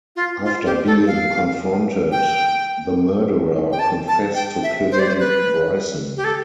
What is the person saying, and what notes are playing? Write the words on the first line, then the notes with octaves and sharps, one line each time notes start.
After being confronted, the murderer confessed to killing Bryson.
F4
F4
G4
A4
F5
G5
G5
A5
A5
G5
E5
C5
D5
C5
B4
G4
A4